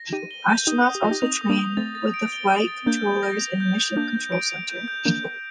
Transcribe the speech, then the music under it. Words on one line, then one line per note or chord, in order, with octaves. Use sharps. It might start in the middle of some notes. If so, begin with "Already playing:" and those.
Astronauts also train with the flight controllers in the Mission Control Center.
Already playing: A#6
D#4 G4 D#7
G7
G6
D#4 G4 D#6
D#6
G4
F4 A#6
D#4 G4
C4 D#4 F7
D#6
A#3 D4
D#6
A3 C4 A6
A6
D7
G7
A6
A6
A#3 D4 G6
G6
A#6
F7
G6
G6
A#3 D4 G6
G6
D7
F7
G6
G6
A#3 D4 G6
G6